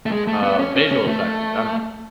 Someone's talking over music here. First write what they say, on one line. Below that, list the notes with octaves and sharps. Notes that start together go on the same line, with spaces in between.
um, visual effects in general.
A3
G#3
A3
B3
C#4
C#4
C#4
A3